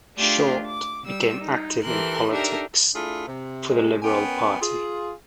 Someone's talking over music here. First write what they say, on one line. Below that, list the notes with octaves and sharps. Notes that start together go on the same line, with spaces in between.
Shortt became active in politics for the Liberal Party.
A3 D4 F4 G4 G#4
D6
G3 E6
D#4
E3 G4 A4 A#4 C6 F#6
D4 D#4 G4 A4 A#4 E5
A3 D4 E4 F4 G#4
C3
C3 G#3
B3 C#4 A#4 G5 G#5
F4 G#4